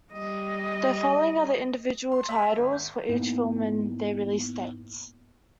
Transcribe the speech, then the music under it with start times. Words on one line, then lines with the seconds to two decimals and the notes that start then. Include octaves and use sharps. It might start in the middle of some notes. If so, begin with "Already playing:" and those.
The following are the individual titles for each film and their release dates.
0.13 G3 D#5
2.12 C6
2.29 E5
2.58 G#1
2.73 G6
3.09 G#2 A#3 B3 D#4 E4